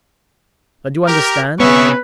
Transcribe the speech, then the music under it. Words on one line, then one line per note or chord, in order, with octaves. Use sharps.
Don't you understand.
G4 A#4
C3 B3 C#4 G#4 B4 E5 C#6